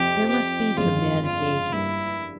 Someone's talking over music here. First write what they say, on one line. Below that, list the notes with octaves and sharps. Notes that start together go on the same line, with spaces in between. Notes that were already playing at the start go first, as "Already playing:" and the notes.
"There must be dramatic agents."
Already playing: F2 C3 F3 C4 G4
G4
G1 F2 C#3 F3 G#3 F4
F4
G2 G3 A#3 E4